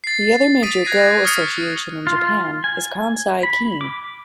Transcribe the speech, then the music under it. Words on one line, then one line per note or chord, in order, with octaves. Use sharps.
The other major Go association in Japan is Kansai Ki-in.
A6 C7
D#6 A6 B6 D7 D#7
F#6 G#6 A#6 C7 D#7
C#6 D#6 F6 A6 B6 C#7
F4
G#5
B5
D6